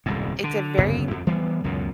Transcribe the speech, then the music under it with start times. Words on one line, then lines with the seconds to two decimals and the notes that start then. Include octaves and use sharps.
it's a very
0.06 D#1 C2 G#2
0.44 D3
0.78 G1 F#2 C#3 B3
1.11 F2
1.27 E3 G3 B3
1.64 C#2 F#2 B2